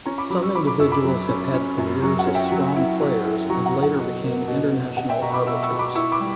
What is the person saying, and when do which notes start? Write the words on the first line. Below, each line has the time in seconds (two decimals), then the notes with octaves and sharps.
Some individuals have had careers as strong players and later become International Arbiters.
0.06 C#4 A#5 C#6
0.18 B5 D6
0.30 F#3 B5 D6
0.42 C#6 E6
0.55 F#3 B5 D6
0.67 B5 D6
0.79 F#2 C#6 E6
0.92 B5 D6
1.04 F#3
1.29 C#4
1.54 C#4
1.78 F#2
2.02 F#3 A#5 C#6
2.19 F#5
2.27 C#4
2.35 E5 G5
2.52 F#3
2.76 E4
3.00 F#3
3.25 E4
3.50 F#3 A#5 C#6
3.66 F#5 A#5
3.75 F#3
3.82 F#5
3.99 B2
4.23 A#3
4.48 B2
4.73 B2
4.97 B2 F#5
5.09 E5 G5
5.22 B2 A#5 C#6
5.34 B5 D6
5.46 B2 C#6 E6
5.63 C#6 E6
5.71 B2
5.79 B5 D6
5.95 E4 C#6 E6
6.12 B5 D6
6.20 G3